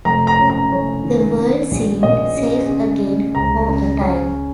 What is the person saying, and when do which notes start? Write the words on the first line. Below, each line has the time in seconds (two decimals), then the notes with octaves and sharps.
The world seemed safe again, for a time.
0.05 F1 A#5
0.27 A#5
0.39 C#4
0.50 A#5
0.71 F1 C#5
1.04 D#3
1.37 C#4
1.71 A#1
2.03 A#2 D#5
2.37 C#4
2.69 C#3
3.02 C#3
3.35 C#2 A#5
3.69 C#3
4.01 C#4